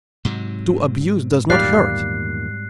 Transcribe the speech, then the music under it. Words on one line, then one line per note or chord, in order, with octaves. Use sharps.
To abuse does not hurt.
G#2 C3 F#3
E2 A#2 D#3 G3 D5 F5 F#6 C7